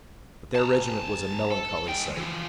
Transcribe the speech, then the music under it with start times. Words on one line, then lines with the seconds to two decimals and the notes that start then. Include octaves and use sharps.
But their regiment was a melancholy sight.
0.55 A5 A#5
1.51 A4 A5
1.88 G#3 G5
2.17 E3 F3